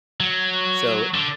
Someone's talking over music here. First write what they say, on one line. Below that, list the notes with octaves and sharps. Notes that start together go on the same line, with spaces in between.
So i
F#3
D3